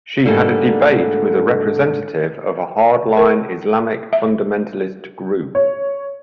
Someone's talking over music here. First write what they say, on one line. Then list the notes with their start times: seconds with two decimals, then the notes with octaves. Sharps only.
She had a debate with a representative of a hard line Islamic fundamentalist group.
0.25 G#2 D3 G3 A3 A#3
3.17 A#4
4.13 E5
5.55 C#5